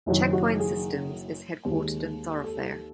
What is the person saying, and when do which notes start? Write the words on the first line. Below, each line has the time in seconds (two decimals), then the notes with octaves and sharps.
Checkpoint Systems is headquartered in Thorofare.
0.06 F#1 F#2 D#3 F#3 E4
0.33 F#4
0.60 G#4
1.65 D#2 D#3 G#3
2.44 A4